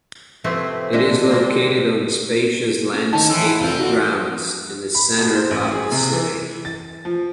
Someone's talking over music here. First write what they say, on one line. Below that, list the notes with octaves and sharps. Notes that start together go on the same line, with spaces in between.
It is located on spacious landscaped grounds in the center of the city.
C3 E3 F3 A3 C4
A#2 D3 G#3 G#5
G#3 A#3 C4 D4
C#4
D#3 C#4 A5
F#2 E3 E6
F1 C4 F4
F#4
B5
B2
C5
A1
G#4
C3
E3
A6
F3